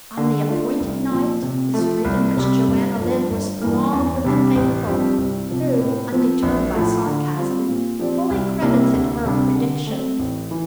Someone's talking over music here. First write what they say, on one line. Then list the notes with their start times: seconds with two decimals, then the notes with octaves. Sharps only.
On the appointed night, the street in which Joanna lived was thronged with the faithful, who, undeterred by sarcasm, fully credited her prediction.
0.17 D3
0.49 A3 D4 F4
0.80 C2
1.11 A#2 F3
1.42 C3
1.74 F3 A3
2.05 C2
2.36 C3 G3
2.67 G1
2.99 G2 F3
3.30 G1
3.61 G2 E3 A#3
3.93 E2
4.24 C3 G3 D4
4.55 A1
4.87 G2 F3 C4 G4
5.18 C2
5.49 C3 F3
5.80 A2
6.12 F3 C4
6.43 A#1
6.74 A2 F3 A3
7.06 D3
7.36 G3 C4 F4
7.68 A#2
7.99 F3 C4 G4 D5
8.30 C2
8.62 C3 G3 A#3 E4
8.93 D2
9.25 C3 G3 D4
9.56 D3
9.87 A3 C4
10.19 A1
10.51 E3